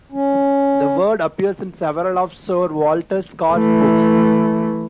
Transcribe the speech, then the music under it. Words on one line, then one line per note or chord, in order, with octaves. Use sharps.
The word appears in several of Sir Walter Scott's books.
C#4
E3 A3